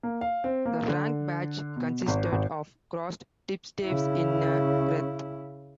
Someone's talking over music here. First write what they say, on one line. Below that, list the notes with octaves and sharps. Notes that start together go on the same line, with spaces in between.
The rank badge consisted of crossed tipstaves in a wreath.
A#3
F5
C4
A#3
D3
B2
G#1
G#1
C#3 E4